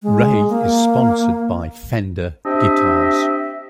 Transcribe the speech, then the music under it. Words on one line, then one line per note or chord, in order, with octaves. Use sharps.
Ray is sponsored by Fender Guitars.
G#3
A#3
C4 D4 G4 D#5 E5